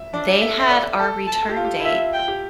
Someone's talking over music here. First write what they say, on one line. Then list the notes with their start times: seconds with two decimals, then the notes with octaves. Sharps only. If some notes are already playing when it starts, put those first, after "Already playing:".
they had our return date
Already playing: E5
0.14 D4 D5
0.42 A4 E5
0.60 E5
0.70 D5
0.99 A4
1.27 A5
1.43 A4
1.49 G4
1.56 F4
1.65 G4
1.80 E4
1.85 F4 E5
2.13 G5
2.28 G4